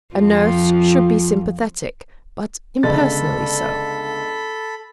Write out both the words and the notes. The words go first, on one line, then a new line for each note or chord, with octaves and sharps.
"A nurse should be sympathetic, but impersonally so."
F2 F3 F4
G1 C#2 A4 B5 A6